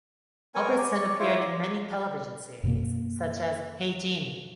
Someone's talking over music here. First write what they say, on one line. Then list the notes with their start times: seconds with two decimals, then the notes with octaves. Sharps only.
Albertson appeared in many television series, such as Hey, Jeannie!
0.55 B3 A#4 C#5 G#5
0.77 G4 G#5
0.90 C#5 D5
1.19 E4 F4 C5 C#5
1.37 D5
2.63 F#2 B2 A#3